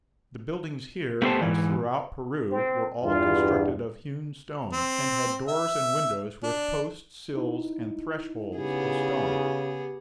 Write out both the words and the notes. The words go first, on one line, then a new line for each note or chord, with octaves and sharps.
The buildings here, as throughout Peru, were all constructed of hewn stone, and had doors and windows with posts, sills, and thresholds of stone.
A3 B3 G4 G#4 C5 A5
G#2 E3
C4
E2 G2 F4
C4
E5
D4
D#4 E4
C#3 B3 G4 G#4